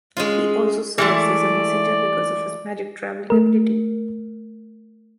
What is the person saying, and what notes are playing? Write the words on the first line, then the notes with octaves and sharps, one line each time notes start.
He also serves as a messenger because of his magic travelling ability.
G#3 C#4 F4
E3 G#3 A3 D5
A3 A#4